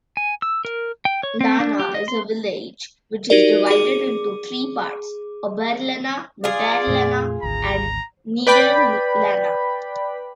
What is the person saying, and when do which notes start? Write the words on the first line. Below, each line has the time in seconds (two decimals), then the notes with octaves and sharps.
Lana is a village which is divided into three parts: Oberlana, Mitterlana and Niederlana.
0.17 G#5
0.42 E6
0.65 A#4
1.05 G5
1.23 C#5
1.41 C4
1.60 D4
1.80 G4
1.94 D#5
2.08 C6
3.30 D#4 F#4 G4 A#4 D5
3.66 G#4 D6
6.44 F4 G#4 D5
6.87 F2 A#2 A3
7.43 G#1 D2 A#5
8.47 B4 D5 G5 B5